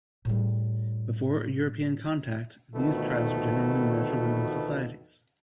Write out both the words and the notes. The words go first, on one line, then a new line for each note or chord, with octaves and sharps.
Before European contact these tribes were generally matrilineal societies.
A2 G3
D2 B2 D#3 F3 A3 B3